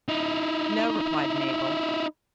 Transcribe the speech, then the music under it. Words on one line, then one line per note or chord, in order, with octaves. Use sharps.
"No," replied Mabel.
D#4 E4